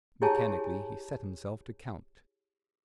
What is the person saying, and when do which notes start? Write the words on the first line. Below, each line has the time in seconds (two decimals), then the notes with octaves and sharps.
Mechanically he set himself to count.
0.22 E4 G4 G#4 C#5 G#5 A5